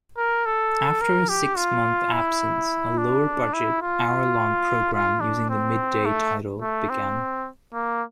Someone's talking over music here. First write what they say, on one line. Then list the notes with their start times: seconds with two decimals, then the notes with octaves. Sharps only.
After a six-month absence, a lower-budget hour-long program using the "Midday" title began.
0.17 A#4
0.46 A4
1.01 A#4
1.29 G4
1.57 F4
2.13 E4
2.98 D4
3.54 E4
3.81 F4
4.93 F4
5.21 D4
5.50 C4
6.06 A3
6.62 A3
6.89 C4
7.73 A#3